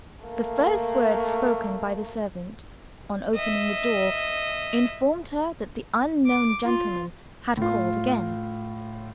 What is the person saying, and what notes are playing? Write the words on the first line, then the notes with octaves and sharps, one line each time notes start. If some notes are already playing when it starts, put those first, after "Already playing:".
The first words spoken by the servant, on opening the door, informed her that the unknown gentleman had called again.
A3 A#3
D#5 E5
D6
F4
A2 F4